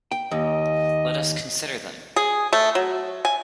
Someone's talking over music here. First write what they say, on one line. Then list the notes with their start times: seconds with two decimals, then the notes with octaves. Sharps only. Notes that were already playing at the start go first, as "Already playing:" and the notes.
Let us consider them!
0.11 G5
0.31 D#2 D#5
2.16 G#4
2.53 A3
2.75 F#3
3.25 G#5